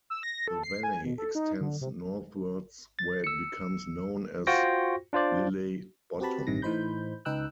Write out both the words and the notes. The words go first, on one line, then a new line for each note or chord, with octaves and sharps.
The valley extends northwards where it becomes known as Lilley Bottom.
E6
A#6
A4
C7
G#5
B2
A4
D#4
D3
C3
A6
E6 C#7
F4 F#4 C5 G5 C#6 A#6
D4 F4 C5 D5
C4 F#4 G4 B4 A5 B5
A1 G2 C3 D#3 A#6
A2 E3 D#4 C5 B5 G6
C#2 D#4 B4 G5 E6 F#6